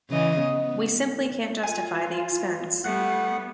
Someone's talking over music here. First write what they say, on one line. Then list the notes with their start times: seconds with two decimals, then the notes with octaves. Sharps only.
We simply can't justify the expense.
0.10 C#3 E3 D#5
0.38 B3
1.63 F4 G#5
2.84 G3 A3 B3 F#5 F#6